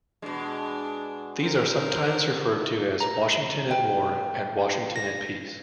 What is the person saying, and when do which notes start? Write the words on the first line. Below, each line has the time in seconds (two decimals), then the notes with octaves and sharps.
These are sometimes referred to as "Washington at War" and "Washington at Peace".
0.22 B2 G#3 D4
1.41 A#4 C5
3.00 A#5
3.71 G5
4.96 A#6